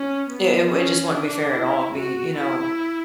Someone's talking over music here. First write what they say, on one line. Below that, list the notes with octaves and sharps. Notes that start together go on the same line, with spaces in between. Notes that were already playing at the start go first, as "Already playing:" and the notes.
It it w it just wouldn't be fair at all. It'd be, you know,
Already playing: C#4
B3
C#4
D4
E4
F#4
E4